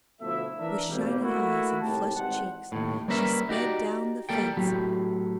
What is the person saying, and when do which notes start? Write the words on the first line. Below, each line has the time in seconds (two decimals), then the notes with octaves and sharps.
With shining eyes and flushed cheeks, she sped down the fence.
0.21 D2 B2 F3 A3 E4 E5
0.59 E3 D4 A#4 E5
0.88 G#1 B2 G3 A#3
1.21 A3 A#3 E4 F#4
1.81 C2 A2 D#3 G4 A5
2.16 G#1 G#2 E3 G3 C5 F#5
2.72 D#2 A2
3.08 G3 A#3 C#4 A#4 B4 E5
3.49 D#4 F#4 G4 D5
4.29 G3 A#3 A4 G5
4.57 A2 F#3 G4